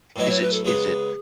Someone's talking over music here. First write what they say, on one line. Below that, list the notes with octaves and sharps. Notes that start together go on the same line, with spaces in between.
Is it s is it,
A2 F#3 B3 E4 D#5
C#5
B4
A4
C#3 G#3 B3 G#4